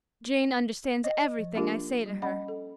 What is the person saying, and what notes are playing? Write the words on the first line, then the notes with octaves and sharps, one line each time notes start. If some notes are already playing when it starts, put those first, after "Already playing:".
Jane understands everything I say to her.
D#5
F3
A#3 D4 F4 G4 A#4
G3
C#4 D#5 F#5 B5
A4